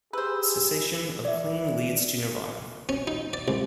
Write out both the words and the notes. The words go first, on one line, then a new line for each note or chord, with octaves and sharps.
The cessation of clinging leads to Nirvana.
G4 G#4 B4 C5 E6
D5 E5
C#4
D#4
D5
C2